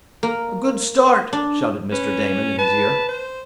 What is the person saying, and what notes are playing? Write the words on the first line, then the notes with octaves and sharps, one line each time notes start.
"A good start!" shouted Mr. Damon in his ear.
A#3
D4
C#4 B4
B4 A5
C5